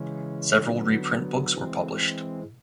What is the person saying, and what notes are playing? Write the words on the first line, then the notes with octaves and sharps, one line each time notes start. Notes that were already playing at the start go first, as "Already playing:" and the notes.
Several reprint books were published.
Already playing: C#3 E3 G#3 C#4
D3 F#3 B3
E3 G#3 C4